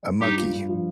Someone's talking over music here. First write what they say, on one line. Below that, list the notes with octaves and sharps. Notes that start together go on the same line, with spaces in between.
a monkey,
G2 D#4 G4
F4
G2
F3